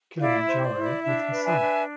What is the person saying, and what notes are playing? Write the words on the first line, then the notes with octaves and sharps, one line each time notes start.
Kilimanjaro with her son.
E4 D5 F5
E5
C5
D5
E4
D5
D4 E5
B4
E5 G#5
D4